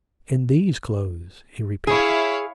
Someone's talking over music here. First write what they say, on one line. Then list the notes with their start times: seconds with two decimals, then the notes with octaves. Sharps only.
In these clothes,' he repeated.
1.87 E4 G#4 C#5 F5